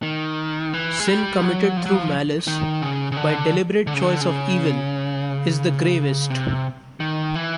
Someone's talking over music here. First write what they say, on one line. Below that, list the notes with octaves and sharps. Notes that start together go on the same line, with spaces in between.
Sin committed through malice, by deliberate choice of evil, is the gravest.
D#3
E3
G#3
G3
F#3
F3
F#3
F3
D#3
C#3
C#3
D3
D3
C#3
D3
C#3
C3
D#3
E3